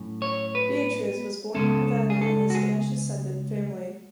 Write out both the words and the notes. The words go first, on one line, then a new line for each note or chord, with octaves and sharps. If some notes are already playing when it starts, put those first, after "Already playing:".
Beatriz was born in Havana in a Spanish-descendent family.
Already playing: A2 F#3 C#4
C#5
B4
C#2 B2 G#3 C#4 A4
G#4
A4
F#4
G#4